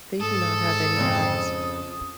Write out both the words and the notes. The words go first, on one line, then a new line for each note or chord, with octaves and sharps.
They do not have any eyes.
G#2 A4 D#6
F2 C#3 C4